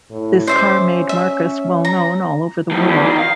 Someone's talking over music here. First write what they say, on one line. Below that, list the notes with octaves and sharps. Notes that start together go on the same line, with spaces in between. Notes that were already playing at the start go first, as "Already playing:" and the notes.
This car made Marcus well-known all over the world.
A2
C#4 C5 E5 D6
E5
A#5
A2 F3
E2
D#3
F5